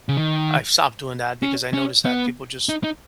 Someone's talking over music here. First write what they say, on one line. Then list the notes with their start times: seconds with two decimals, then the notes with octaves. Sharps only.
I've stopped doing that because I noticed that people just
0.09 C#3
0.17 D#3
1.43 C#4
1.74 C#4
2.05 B3
2.69 D#4
2.84 D#4